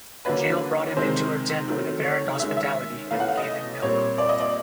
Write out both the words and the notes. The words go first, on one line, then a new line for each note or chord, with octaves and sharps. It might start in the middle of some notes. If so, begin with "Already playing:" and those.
Jael brought him into her tent with apparent hospitality and gave him milk.
D3 F#3 A#3 C#4 B4
C3 D#3 G#3 C4 C5
D#3 F#3 A3 C4
C#5
D#3 G#3 C#4 E5
E5
E3 A3 C#4 F5
F#5
F5
D#5
A#2 G3 C4 C#5
D5
D#5
D5